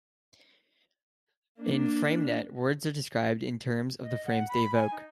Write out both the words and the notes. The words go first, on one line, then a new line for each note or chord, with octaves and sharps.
In FrameNet, words are described in terms of the frames they evoke.
A#3 D4
D#5
F#5
B5
G#5
D#4